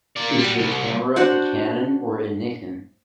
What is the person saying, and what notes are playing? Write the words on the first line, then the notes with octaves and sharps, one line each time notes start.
Is your camera a Canon or a Nikon?
A#3 D5
G3 F#4
C2
D4 F#4 C5 F#5